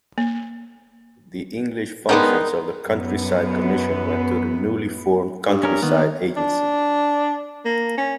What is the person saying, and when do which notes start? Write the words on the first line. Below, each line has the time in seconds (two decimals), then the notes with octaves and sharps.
The English functions of the Countryside Commission went to the newly formed Countryside Agency.
0.18 A#3
2.09 G3 G#3 B3 C#4 D#4 A#4
2.86 F#2 B3
5.48 G2
5.63 C#4 A#4
5.82 D#3 A#3 B3
6.37 D4
7.65 A#3
7.98 C#4